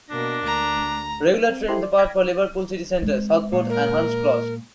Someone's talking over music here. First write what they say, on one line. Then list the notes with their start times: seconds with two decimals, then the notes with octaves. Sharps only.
Regular trains depart for Liverpool city centre, Southport and Hunts Cross.
0.10 B2 A#3 D4 A#6
0.46 D2 A#5
1.50 C4
1.68 E4 G4 A4 C5 C6
1.83 D5
1.98 B5 D6 G#6 A#6 B6
3.02 G#3 C4
3.52 A#2
3.70 A#4